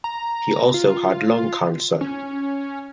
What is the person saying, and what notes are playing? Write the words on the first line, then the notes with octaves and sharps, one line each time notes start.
He also had lung cancer.
A#5
F4
C#4